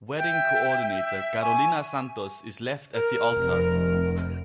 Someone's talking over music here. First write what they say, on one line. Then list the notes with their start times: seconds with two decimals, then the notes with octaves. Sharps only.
Wedding coordinator Carolina Santos is left at the altar.
0.18 E5 G5 G6
0.91 E5
1.41 G#5 C#6
2.94 A#4
3.34 F1